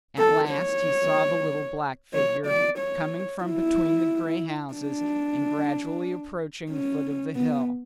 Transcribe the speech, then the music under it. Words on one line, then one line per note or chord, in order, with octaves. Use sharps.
At last he saw the little black figure coming from between the grey houses and gradually approaching the foot of the hill.
A4
C#5
C#5
D5
C#5
E4
D4
C#4
B3